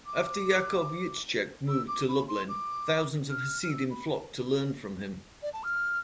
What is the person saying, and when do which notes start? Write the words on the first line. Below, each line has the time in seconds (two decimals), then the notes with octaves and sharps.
After Yaakov Yitzchak moved to Lublin, thousands of Hasidim flocked to learn from him.
0.06 D6
1.68 E6
1.88 D6
2.09 B5
2.28 C6
2.49 D6
3.30 F6
3.63 F6
3.70 E6
3.90 B5
5.42 D5
5.53 A5
5.63 F6